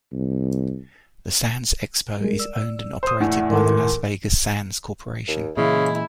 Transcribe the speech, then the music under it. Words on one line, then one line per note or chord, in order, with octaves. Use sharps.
The Sands Expo is owned and operated by the Las Vegas Sands Corporation.
C2
G3 G#3 A#4
D5 E6
C5 D#6
E2 A2 D5 E5 F#5
G#2 D#3 A4 A#4 C6 D6
D#2
A#2 C#3 E3 G#3 E4